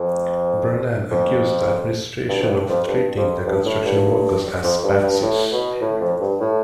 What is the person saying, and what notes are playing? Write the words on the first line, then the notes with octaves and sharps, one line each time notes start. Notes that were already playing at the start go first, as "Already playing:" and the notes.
Brennan accused the administration of treating the construction workers as "patsies".
Already playing: F2
F2
G2
F2
G2
F2
G2
F2
G2
A2
G2
F2
G2
G2
A2
B2
A2
F2
G2
A2